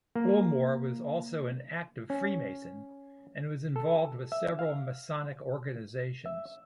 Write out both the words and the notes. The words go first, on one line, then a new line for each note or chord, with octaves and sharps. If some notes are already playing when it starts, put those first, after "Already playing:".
Bullmore was also an active freemason, and was involved with several masonic organizations.
A#3
C#4
A4
E5
F5
E5